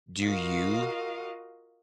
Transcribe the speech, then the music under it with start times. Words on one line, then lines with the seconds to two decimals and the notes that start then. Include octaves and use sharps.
do you
0.23 F4 F#4 A#4 D#5 F5